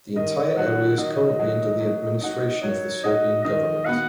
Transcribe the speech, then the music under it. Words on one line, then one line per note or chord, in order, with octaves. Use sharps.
The entire area is currently under the administration of the Serbian government.
D#3 D#5
F#3 D#4 F#4 F#5
D#3 D#5
F#3 D#4 F#4
F#3
D#4 F#4
F#3 C#5
D#4 F#4 D#5
D#3 D#5
B3 F#4 F#5